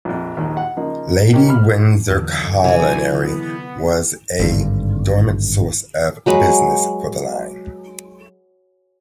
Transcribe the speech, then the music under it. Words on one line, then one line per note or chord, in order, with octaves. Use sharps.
Lady Windsor Colliery was a dominant source of business for the line.
A#1 F2
A#1 D#2 D#3
F#5
C#3 F3 A#3 D#4
C#3 C#4 D#4 G4 A#4
B5 F6
E2 D3 D#3 F#3
C3 E3 G#3 G#5
B3
G#1 G2 D3
F#3 G#3 B4